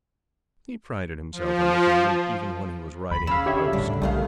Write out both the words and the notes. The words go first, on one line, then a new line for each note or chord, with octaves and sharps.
He prided himself on looking neat even when he was riding post.
F3
D#2 B5
C#3 F5 E6
D3 G4 C#5 E5
A2 C#3 G3 D4
B1 E2 D#3 G3 A3 F5